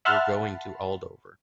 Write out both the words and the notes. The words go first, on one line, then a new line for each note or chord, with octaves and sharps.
We’re going to Aldover.
E5 F#5 A5 B5 C6 F6